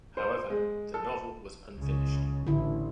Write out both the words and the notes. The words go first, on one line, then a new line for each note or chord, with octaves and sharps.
However, the novel was unfinished.
C5
G#3
A4
C#2 C#3
A1 D3 E4